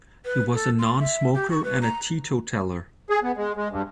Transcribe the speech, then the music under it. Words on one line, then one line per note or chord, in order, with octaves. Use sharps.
He was a non-smoker and a teetotaller.
B4
A4
C6
E5
G4
C#6
B4
A#5
G#4
B3
G#3
G#3
G2